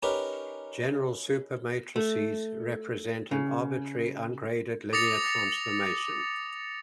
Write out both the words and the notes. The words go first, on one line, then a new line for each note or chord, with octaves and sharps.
General supermatrices represent an arbitrary ungraded linear transformation.
C#4 D#4 G4 A#4 B4
A3
C#3
D6 D#6 A6 A#6 C#7 F7